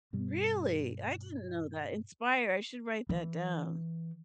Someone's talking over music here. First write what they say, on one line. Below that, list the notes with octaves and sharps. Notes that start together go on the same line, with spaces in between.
Really? I didn't know that. Inspire, I should write that down.
G2 B2 G3
E3